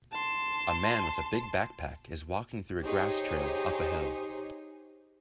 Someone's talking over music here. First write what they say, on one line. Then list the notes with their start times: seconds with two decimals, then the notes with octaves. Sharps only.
A man with a big backpack is walking through a grass trail up a hill.
0.12 A5 C6
2.84 D#4 G4 G#4 C5 C#5 D#5